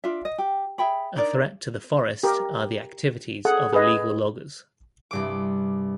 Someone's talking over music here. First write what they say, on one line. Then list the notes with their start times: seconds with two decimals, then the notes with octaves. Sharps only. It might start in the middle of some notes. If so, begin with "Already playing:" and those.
A threat to the forest are the activities of illegal loggers.
0.04 D4 F4 D5 E5
0.25 D#5
0.38 G4
0.78 G#4 E5 G5 B5
1.16 D4 D#4 A#4 D5
2.23 G4 A#4
3.45 G#4 A4 F#5
3.72 G#4 B4 D#5
5.11 C2 G2 D6